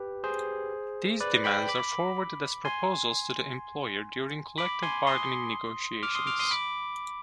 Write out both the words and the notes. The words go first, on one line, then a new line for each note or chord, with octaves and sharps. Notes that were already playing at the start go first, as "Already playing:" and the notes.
These demands are forwarded as proposals to the employer during collective bargaining negotiations.
Already playing: G4 B4
G#4 C5
B4 D5
G5 B5
B5 D6
G#5 C6
B5 D6
G#5 C6
C6 D#6
D6 F6
C6 D#6
D6 F6
C6 D#6
B5 D6